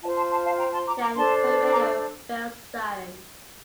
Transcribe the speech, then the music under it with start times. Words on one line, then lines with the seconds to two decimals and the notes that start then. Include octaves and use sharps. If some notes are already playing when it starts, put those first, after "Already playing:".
Then her radio fell silent.
0.02 F4 F5 A5
0.08 C5
0.17 A5 C6
0.30 A5 C6
0.45 F5 A5
0.59 G5 A#5
0.73 A5 C6
0.87 A#5 D6
1.01 A#5 D6
1.15 D4 A4 C5 A5 C6
1.72 A#5 D6